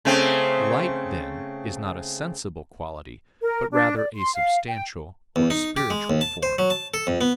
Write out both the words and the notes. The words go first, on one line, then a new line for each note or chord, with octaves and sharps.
Light, then, is not a sensible quality, but rather a substantial or spiritual form.
C#3 A3 C4
A#4
D4
D5
C6
F5
G5
E2
D#4
G4
G#3
D#2
A5
C5
F#3
A5
A4
F2
B3